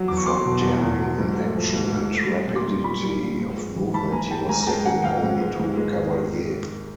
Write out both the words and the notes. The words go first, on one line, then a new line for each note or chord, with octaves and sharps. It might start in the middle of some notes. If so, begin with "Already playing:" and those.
For daring in action and rapidity of movement he was second only to Cavalier.
Already playing: F#3
E2 D6
C#6
F#3 C6 D6
B2
E2
E2
F#3
G#2
A3
F3
G#2
G#2
A3
G3
A#2
C6 D6
G3
A#2 B5 C#6
G3
A#2
G#2
G#3
E3
G#2 A5 B5
G#2 G#5 A#5
G#3 G5 A5
G#2 G#5 A#5
A#5
G#3 G5 A5
D#3 F#5 G#5
G#2 F5 G5
G#2
G#3
G#2
G#3
D#3